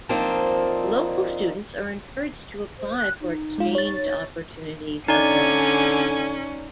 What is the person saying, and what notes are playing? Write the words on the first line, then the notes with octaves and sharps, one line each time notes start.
Local students are encouraged to apply for exchange opportunities abroad.
F3 A#3 C4 D4 D#4
C5
F#6
D#4
G#3 F4
C#5 A6
D3 C#4 D#4 D5 G#5